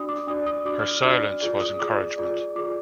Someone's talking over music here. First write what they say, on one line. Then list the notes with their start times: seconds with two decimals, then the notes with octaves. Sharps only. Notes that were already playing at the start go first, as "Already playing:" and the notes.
Her silence was encouragement.
Already playing: D4 F#4 D5 D#6
0.09 D6
0.27 D4 F#4 D5 D#6
0.46 D#6
0.65 D4 F#4 D5 D6
0.79 F6
0.91 F6
1.04 D4 F#4 D5
1.42 F4 G#4 D5
1.60 D#6
1.79 F4 G#4 D5 D6
2.18 F4 G#4 D5
2.55 F4 G#4 D5 D6